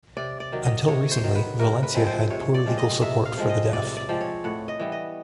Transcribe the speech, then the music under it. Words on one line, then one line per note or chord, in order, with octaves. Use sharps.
Until recently, Valencia had poor legal support for the Deaf.
C3 D5
D5
D#3 F#3
D#5
C3 C#5
C5
D#3 F#3
B4
C3 A#4
B4
F3 G#3 C4
C5
C3 C#5
D5
F3 G#3 C4
D#5
C3 E5
F5
F3 G#3 C4
D#5
C3 D5
D5
F3 G#3 C4
C#5
A2 F#5
D#5
E3 G3 B3
D#5